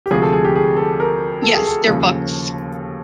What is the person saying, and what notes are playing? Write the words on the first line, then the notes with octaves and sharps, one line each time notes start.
Yes, they're books.
G4
D2 C3 F3 G#3 G#4
A4
G#4
G4
G#4
A4
A#4
A4
G#4
A4
D#2 C#3 F3